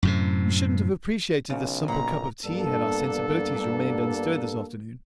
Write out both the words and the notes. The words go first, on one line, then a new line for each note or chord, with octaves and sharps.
We shouldn't have appreciated this simple cup of tea had our sensibilities remained unstirred this afternoon.
F#2 A2 C3
B1 C#3
A#2 A#5 B5
G2 A#3 B3 D4 A4